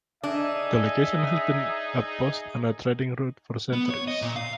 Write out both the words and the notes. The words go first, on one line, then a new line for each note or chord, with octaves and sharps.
The location has been a post on a trading route for centuries.
D4 D#4 G#4 E5
B3
C#5
D#5
A#2
F5